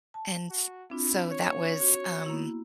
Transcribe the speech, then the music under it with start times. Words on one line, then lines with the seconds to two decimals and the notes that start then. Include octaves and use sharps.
And s so that was, um
0.14 A5
0.50 F#4
0.90 C4 D4 E4 F4
1.30 C#5
1.80 F#4
2.26 A#3 B3 E4